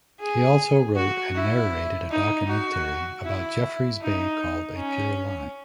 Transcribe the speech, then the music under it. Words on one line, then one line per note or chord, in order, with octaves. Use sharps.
He also wrote and narrated a documentary about Jeffreys Bay called "A Pure Line".
G#4
F#4
E4
D#4
F#4
E4
D#4
C#4